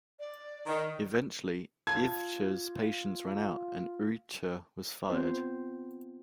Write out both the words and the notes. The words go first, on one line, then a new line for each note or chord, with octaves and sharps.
Eventually, Ivcher's patience ran out, and Urrutia was fired.
D5
D#3
F4 A5 G#6
B3 C4 F4 C5